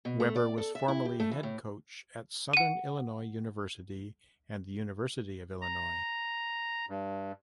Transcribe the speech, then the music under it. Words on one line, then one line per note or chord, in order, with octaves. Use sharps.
Weber was formerly head coach at Southern Illinois University and the University of Illinois.
B2
A3
D5
A4
E5
E4
G4
A3
E3
A2
F#5 D#7
A#5
G2